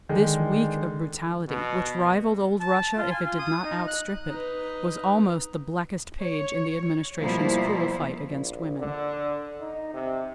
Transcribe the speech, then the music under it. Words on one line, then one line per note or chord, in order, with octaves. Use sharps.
This week of brutality, which rivaled old Russia, if it did not outstrip it, was almost the blackest page in the Administration's cruel fight against women.
D3 D#3 G#3
B2
A5
F4
G#5
F4
D#6
D#4
F#6
D#4 B4
C#5
B2 F3 G3 A#3 E4 C5
A#1
D3
D#4
C3